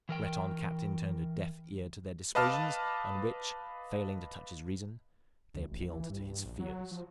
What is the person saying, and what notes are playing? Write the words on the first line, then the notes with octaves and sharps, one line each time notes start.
The Breton captain turned a deaf ear to their dissuasions; on which, failing to touch his reason, they appealed to his fears.
E3 A#4 G5
B4 D#5 F5 A5 D6 F6
D2
A1
E3
G2
A#1
F#3
F3